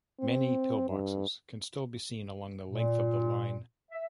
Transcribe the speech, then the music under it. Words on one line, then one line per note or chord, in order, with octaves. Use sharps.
Many pillboxes can still be seen along the length of the line.
C4
G2
A#2
E5